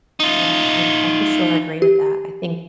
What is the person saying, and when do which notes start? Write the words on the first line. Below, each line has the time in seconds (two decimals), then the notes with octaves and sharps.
Yeah. I I for sure agree with that. I think
0.20 D#4 F4
1.82 G4